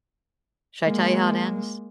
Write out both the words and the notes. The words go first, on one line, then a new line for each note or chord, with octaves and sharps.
should I tell you how it ends?
G#3 A#3